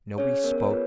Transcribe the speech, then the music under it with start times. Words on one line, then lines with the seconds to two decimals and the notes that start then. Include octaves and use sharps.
Nobody spoke.
0.18 C#4 G#4 C#5
0.44 B3 A#4
0.58 C#5
0.70 F4 G#4 B4